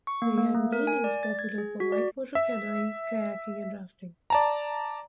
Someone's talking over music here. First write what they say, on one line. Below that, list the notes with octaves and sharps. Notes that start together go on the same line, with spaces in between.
The Youghiogheny is popular for whitewater canoeing, kayaking and rafting.
C#6
A#3
A#3
A3
A#4
G#5
D5
A6
G#6
G#4
F#4
D5
E5
D5 A5 A#5